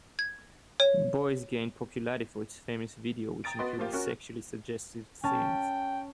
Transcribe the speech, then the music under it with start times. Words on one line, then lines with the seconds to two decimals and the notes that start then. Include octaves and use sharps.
"Boys" gained popularity for its famous video, which included sexually suggestive scenes.
0.19 G#6
0.80 C#5
3.44 G5 A#5 D#6 A6 D7
3.59 B3 F#4 D#5 C6
3.79 F3 A#3 F4 G4
3.93 C#4 F#4 A#4
5.24 C#4 G5 A5